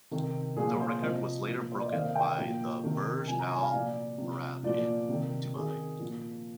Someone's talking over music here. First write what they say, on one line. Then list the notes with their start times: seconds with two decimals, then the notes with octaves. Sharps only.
The record was later broken by the Burj Al Arab in Dubai.
0.11 C3 D#3
0.57 A#2 G#4
0.59 F3
0.80 C5
1.02 C3 F3 D#5
1.47 A#2 F3
1.72 C5
1.78 D5
1.86 D#5
1.92 C3 D#3 F5
2.15 G5
2.38 A#2 F3
2.83 C3 D#3
3.27 C3 F3 G#5
3.39 A#5
3.51 G#5
3.62 F5
3.73 A#2 F3 D5
4.18 C3 F3
4.63 A#2 F3 D5
5.09 C3 D#3
5.54 C3 D#3 G#4
5.99 A#2 F3